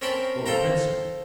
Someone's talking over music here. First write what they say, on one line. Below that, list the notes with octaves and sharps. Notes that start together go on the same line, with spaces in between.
Full of principle.
C4 C#4 A#4 G5 A5 B5
A4 C5 F5 G5 A#5